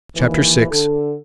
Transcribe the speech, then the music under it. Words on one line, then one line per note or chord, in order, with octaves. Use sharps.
Chapter VI.
D#2 E3
D3 A4